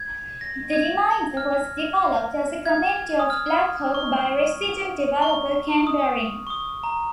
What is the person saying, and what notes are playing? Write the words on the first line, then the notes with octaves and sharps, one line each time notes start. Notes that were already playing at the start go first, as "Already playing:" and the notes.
The remainder was developed as the community of Blackhawk by resident developer Ken Behring.
Already playing: G#6
A#6
G#6
F6
G#6
D#6
F6
C#6
C#6
D#6
C#6
D#6
A#5